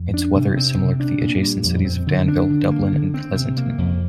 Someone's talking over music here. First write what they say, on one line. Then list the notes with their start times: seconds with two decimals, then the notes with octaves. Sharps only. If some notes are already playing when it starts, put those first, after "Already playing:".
Its weather is similar to the adjacent cities of Danville, Dublin and Pleasanton.
Already playing: F2
0.14 D4
0.35 C3
0.57 C4
0.78 C3
1.00 D4
1.21 A#2
1.43 G3
1.64 F2
1.85 C4
2.07 D3
2.28 D4
2.50 D3
2.71 A#3
2.93 D3
3.14 C4
3.35 C3
3.57 A#3
3.78 F2